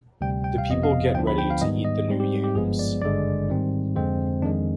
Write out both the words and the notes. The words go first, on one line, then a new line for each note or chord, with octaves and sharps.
The people get ready to eat the new yams.
D2 C3 G3 G5
G5
F5
G1 F2 C3 F3 B3 D#5
F5
D2 D3 F3 B3 D4 G5
B5
G5
F5
G#2 D#3 G3 B3 D#5
D#5
G#2 G3 C4
G4
G4
G1 G2 F3 G#3 B3 G#4
D5
G#1 G2 D3 G#3 D5
G#2 D#3 G3 C4
F2 D3 G#3 C4 C5
F2 D#3 G#3 D4